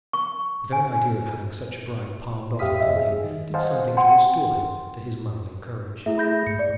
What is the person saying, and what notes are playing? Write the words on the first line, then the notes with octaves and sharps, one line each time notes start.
The very idea of having such a bride palmed off upon him did something to restore him to his manly courage.
C#6
G#5
F2 G4 E5 F5 D#6 B6
F#2 D#5 E5
G#4
D#3
C5 D#5 F5 F#5 G#5 A5
F#5 G5 C6
A3 E4 G#4 E5
B5 G6 A#6
G#2 C#7
D5